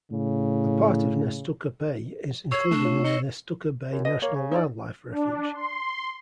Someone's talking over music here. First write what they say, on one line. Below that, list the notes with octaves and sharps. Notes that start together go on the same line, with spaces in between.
A part of Nestucca Bay is included in the Nestucca Bay National Wildlife Refuge.
A2 C#3
C#5 C#6 E6 C7
A3 D4 E7
F4 C#5
D#4 C#5 D#5 C#7
F#2
B2 D#5
A#3 C#5
C#3
D#4 E4 D5
D4
C6